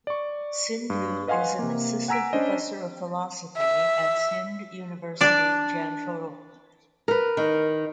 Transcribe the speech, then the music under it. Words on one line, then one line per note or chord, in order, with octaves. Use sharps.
Sindhu is an assistant professor of philosophy at Sindh University Jamshoro.
D5 C#6
G2
B4 D#5 F5 F#5 G#5 C6
C3 A#3
F#5 G#5 A#5 E6 B6 D7
C#4 D4 C5 D#5
E5
D4 D5
A#4 B4
D#3